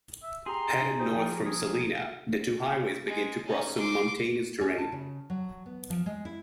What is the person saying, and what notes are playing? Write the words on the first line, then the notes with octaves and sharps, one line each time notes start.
Headed north from Salina, the two highways begin to cross some mountainous terrain.
E5
G4 G#4 A#5 C6
D#4
D#4 G4 C5
F3 A#3
G#4
G#3
C#4 D#4
C6 D6
C#4
A5
C#3
F#3
B3
F3
G#3
E4